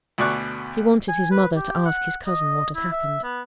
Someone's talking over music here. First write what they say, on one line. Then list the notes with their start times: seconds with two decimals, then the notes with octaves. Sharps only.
He wanted his mother to ask his cousin what had happened.
0.18 D2 B2 D5 C#6 F#6
1.09 G#5
1.31 B4
1.56 G4
1.86 F#5
2.27 D#5
2.75 E4
2.92 E5
3.23 B3